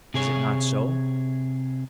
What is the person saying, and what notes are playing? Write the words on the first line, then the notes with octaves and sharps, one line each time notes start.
Is it not so?
C3 G#4 C#5